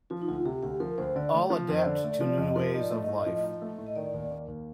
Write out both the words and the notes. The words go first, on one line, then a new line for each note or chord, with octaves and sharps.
All adapt to new ways of life.
F3 F4
D#4
D2 F4
C3 G4
D2 G4
F3 A#4
D2 C5
D3 D5
A3
F3
F2
C5
D3 D5
A3 D5
F3 D5
F2 D#5
F3 A#4
D#4
D5
A3
D#5
A2
D#5
F3
D#4
A3
A2
D#5
D#3 D5
D#2
A#3
D#2